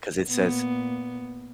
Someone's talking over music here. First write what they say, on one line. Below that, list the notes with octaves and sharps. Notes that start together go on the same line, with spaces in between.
'cause it says,
A#2 B3